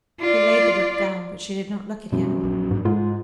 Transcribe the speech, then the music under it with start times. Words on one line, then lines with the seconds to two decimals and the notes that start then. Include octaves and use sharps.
She laid the book down, but she did not look at him.
0.21 F4 D5
2.12 F#2 B2 G3 C4
2.41 A#1 F#3
2.71 G#2
2.85 G#2 G#3 F4